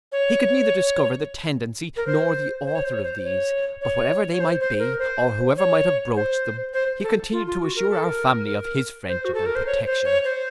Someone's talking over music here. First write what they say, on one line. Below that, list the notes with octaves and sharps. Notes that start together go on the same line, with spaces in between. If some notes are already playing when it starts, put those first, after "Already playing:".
He could neither discover the tendency, nor the author of these, but whatever they might be, or whoever might have broached them, he continued to assure our family of his friendship and protection.
C#5
A#4
C5
C5
C#5
C5
C#5
C5
C#5
C#5
C#5
C5
C5
A#4
C5
C#5
C5
C5
A4
F4
F4
F#4
A#4
A4
A#4
C5
F#4
A4
A#4
C5
C#5
C5
C#5
C5